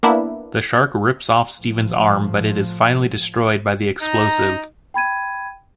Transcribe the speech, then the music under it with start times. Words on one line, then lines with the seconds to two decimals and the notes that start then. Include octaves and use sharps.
The shark rips off Steven's arm but it is finally destroyed by the explosive.
0.03 A#3 B3 D4 E4
1.57 A2 F3
4.02 D#4 A#5
4.94 G5 B5 G#6 D#7